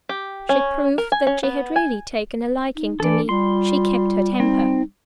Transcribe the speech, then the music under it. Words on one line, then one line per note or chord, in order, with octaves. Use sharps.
She proved that she had really taken a liking to me: she kept her temper.
G4
C#4
A#4
G#5
C#4
B3
G#5
D#4
E3 D4 A4 D5
G3 F4 C6
C4 D#4